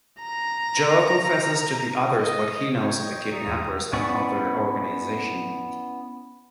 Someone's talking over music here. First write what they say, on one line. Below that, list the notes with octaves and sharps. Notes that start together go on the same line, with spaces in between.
Joe confesses to the others what he knows of the kidnappers and of their organization.
A#5
D#5
C#5 G5 C#6
D#5
G3 D5 E5 A#5 C#6 D#6
E2 G#3
B3 C#4 E4 D5 C#6